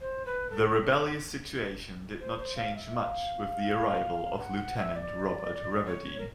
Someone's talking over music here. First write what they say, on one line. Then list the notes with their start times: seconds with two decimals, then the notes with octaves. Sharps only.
The rebellious situation did not change much with the arrival of Lieutenant Robert Reverdy.
0.01 C5
0.26 B4
0.50 A4
2.20 C5
2.38 C5
2.57 F5
2.75 E5
2.94 F5
4.40 F#5
4.59 F#5
4.77 E5
4.95 D5
5.86 C#5
6.18 A#4